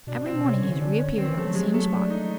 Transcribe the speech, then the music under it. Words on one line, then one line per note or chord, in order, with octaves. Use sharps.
Every morning he has reappeared on the same spot.
B2 D4
C4
C3 C#4
D3 C#4
D4
C#4
D#3 C4
E3
F3 A3
F#3
G#3
A3
D4
D#4